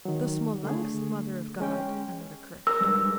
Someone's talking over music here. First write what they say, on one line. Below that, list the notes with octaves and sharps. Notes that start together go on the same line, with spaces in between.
"The Smolensk Mother of God," another corrected him.
D#3 F#3
D3 A3 G#4
G#3 C#4 G5
A#4 E6
G2 G3 G#3